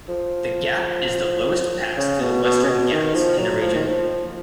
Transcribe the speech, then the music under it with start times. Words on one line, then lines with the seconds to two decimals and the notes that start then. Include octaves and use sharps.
The gap is the lowest pass through the Western Ghats in the region.
0.09 F3
1.97 C#3
2.21 B2
2.44 B2
2.64 C#3
2.69 B2
2.92 D#3
3.15 F3
3.39 F#3
3.62 F3
3.75 D#3
3.86 F3